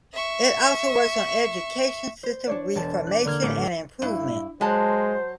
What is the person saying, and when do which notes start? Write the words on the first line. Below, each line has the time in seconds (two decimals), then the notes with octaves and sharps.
It also works on education system reformation and improvement.
0.13 E5 C#6
2.23 C5
2.47 D4 C#5 D5
2.75 E1 A5
3.07 D6 F#6
3.25 D3 A#3 F6 G#6
3.42 A1 A3 D6
4.02 G2 E4
4.61 F#3 G#3 C5 A5